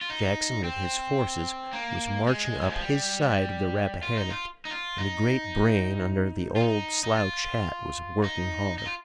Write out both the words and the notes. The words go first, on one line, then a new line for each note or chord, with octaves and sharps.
Jackson with his forces was marching up his side of the Rappahannock and the great brain under the old slouch hat was working hard.
F4
D#4
C4
A#3
G#3
D#3
F3
G3
F4
D#4
F4
D#4
F4
D#4
F4
D#4
D#4
F4
D#4
D#4
F4